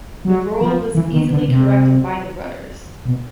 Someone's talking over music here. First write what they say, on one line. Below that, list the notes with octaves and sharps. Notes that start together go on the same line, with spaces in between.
The roll was easily corrected by the rudders.
F#3
F3
E3
D#3
D3
C3
B2